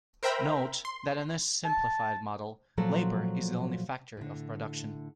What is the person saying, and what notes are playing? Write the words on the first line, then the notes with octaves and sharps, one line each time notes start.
Note that in this simplified model, labour is the only factor of production.
A#4 C5 E5 G5 A#5 B5
C6
A5
A#2 F3 F#3 F#4 A4
A2 D3